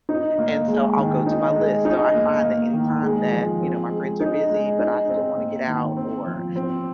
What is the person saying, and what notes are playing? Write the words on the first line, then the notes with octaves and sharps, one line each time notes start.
and, so, I'll go to my list. So I find that anytime that, you know, my friends are busy, but I still wanna get out, or
D#4
A#3
G#3
D#3
D#4
G#3
D#4
A#3
A#3
D#3
G#3
F3
C4
G#3
D#4
G#3
D#4
C4
A#3
D#3
C4
F3
C4